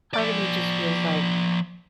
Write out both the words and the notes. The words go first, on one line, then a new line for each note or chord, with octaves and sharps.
part of me just feels like
F3 D5